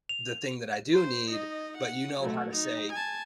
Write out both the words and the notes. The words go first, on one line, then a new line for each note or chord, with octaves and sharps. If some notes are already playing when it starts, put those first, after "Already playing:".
'The thing that I do need,'" but you know how to say
F7
C5
D#4 D#5
F#5
F#3 A3
D#4
G#5 A5